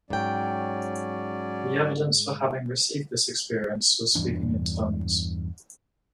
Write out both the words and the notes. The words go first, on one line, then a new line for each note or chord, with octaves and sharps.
The evidence for having received this experience was speaking in tongues.
G#2 F#3 C#4 D5 G5
E2 G2 E3 D4